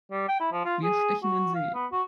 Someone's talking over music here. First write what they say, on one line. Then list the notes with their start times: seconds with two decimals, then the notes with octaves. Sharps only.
Wir stechen in See!
0.11 G3
0.28 G5
0.40 E4
0.52 F3
0.65 F4
0.83 G#4
1.23 F#4
1.55 F5
1.74 B3
1.92 F#4